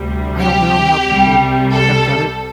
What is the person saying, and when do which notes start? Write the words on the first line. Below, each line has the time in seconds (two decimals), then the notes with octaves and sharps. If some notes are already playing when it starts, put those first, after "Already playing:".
I don't know how people have done it.
Already playing: D2 C3 G3
0.40 G4
1.06 C2 C3 G3
1.72 A4